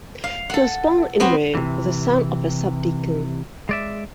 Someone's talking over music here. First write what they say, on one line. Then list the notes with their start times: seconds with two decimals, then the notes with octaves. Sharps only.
He was born in Rome, the son of a subdeacon.
0.24 F5
0.50 A4 F#5
1.20 B3 C4 F#4
1.55 C3 E3
3.69 G#3 D5 E5